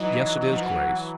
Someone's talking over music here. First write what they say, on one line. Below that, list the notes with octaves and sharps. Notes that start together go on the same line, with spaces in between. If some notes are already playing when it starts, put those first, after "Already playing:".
Yes, it is, Grace.
Already playing: E3 F#3 D#4
E3
F3
E3 F#3 F#4